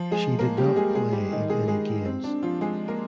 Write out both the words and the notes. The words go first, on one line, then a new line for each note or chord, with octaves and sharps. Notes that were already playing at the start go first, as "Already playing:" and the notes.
She did not play in any games.
Already playing: F3 F4
G#3 G#4
A#3 A#4
G3 G4
G#3 G#4
G#3 G#4
G3 G4
D#3 D#4
G#3 G#4
G#3 G#4
C4
D4
F3 F4
G#3 G#4
A#3 A#4